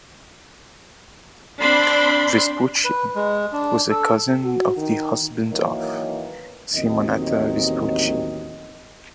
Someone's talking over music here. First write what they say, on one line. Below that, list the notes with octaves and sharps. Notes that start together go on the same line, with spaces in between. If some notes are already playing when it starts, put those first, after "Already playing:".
Vespucci was a cousin of the husband of Simonetta Vespucci.
C4 D4 B5 C6
B4
G#3
D4
A4
F#4
D#3
D#3 E3 F#3 A#3 A#4 C#5
A1 D#2 D#3 F#3 C4 D#5